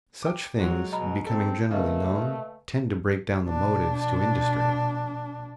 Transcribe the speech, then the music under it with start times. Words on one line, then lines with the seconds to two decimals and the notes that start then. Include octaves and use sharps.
Such things becoming generally known tend to break down the motives to industry.
0.23 G5 D6
0.60 F#3 G#3 F#4
0.92 B2 D#5 A#5 B5
1.27 C4 A4
1.71 C#3 A3 A#3 B4 D#5 F5
3.49 B2 D4